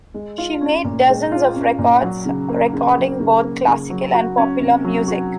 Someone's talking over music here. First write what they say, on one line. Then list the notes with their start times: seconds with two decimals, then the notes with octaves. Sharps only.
She made dozens of records; recording both classical and popular music.
0.14 G#3
0.38 F4
0.61 C#4
0.84 A#2
1.09 G#3
1.32 F4
1.55 C#4
1.78 A#2
2.02 F#3
2.25 C#3
2.49 A#3
2.73 C#3
2.97 F#3
3.20 C#3
3.44 A#3
3.68 C#3
3.90 F#3
4.14 F#4
4.37 C#4
4.60 C3
4.84 F#3
5.08 F#4